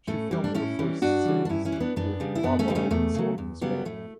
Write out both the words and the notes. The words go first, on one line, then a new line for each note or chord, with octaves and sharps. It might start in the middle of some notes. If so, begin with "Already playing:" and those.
She filmed her first scenes with Barbara Windsor in Spain.
A2 A3 C#4
E3 G3
D4
A2 C#4 E4
E3 G3
G2 D4 F#4
E3 G3
D4
G2 C#4 E4
C#4 E4
E3 G3
B3 D4
F#2 B3 D4
C#3 G3
E4
F#2 B3 D4
A3 C#4
C#3 G3
A3 C#4
E2 A3
C#3 F#3
E2
C#3 F#3 G3 B3
A2 A3